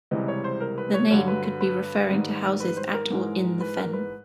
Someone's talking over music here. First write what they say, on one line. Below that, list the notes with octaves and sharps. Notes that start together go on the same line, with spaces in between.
The name could be referring to houses at or in the fen.
C#2 C3 E3 G3 D#5
C#5
C5
A#4
B4
C#5
G2 D3 F#3 C#5
B4
B4
B4
G#2 D#3 G3
B4
C5
A#4
G#2 E3 G#3
B4
A#4
B4